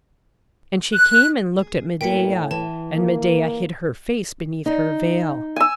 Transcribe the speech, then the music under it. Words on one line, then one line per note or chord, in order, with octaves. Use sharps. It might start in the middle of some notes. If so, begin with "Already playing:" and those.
And she came and looked at Medeia; and Medeia hid her face beneath her veil.
F#6
G#4
A2 A#3 B3 G5 B6 C#7
E3 A5
A#3
D#4
G#5 E6